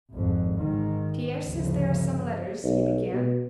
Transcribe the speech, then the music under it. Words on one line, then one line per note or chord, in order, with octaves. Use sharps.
"Pierre says there are some letters," he began.
G#1 F2
G#2 D#3
G1 D2 C#3 F3
B1
B2